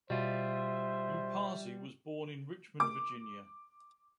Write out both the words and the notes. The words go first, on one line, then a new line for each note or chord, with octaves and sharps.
Loupassi was born in Richmond, Virginia.
B2 G3 F4 C5 E5
D6